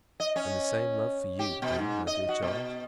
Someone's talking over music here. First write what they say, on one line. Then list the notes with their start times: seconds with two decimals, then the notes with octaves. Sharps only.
"And the same love for you--eh, my dear child?"
0.20 D#5
0.36 C#4
1.39 G4
1.62 B2
1.79 G#2
2.07 D#5
2.29 F#4
2.42 B2